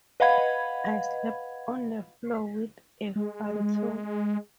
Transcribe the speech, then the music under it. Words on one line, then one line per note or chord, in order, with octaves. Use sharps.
I slept on the floor with a futon.
B4 D#5 F5 F#5 B5 G#6
G#3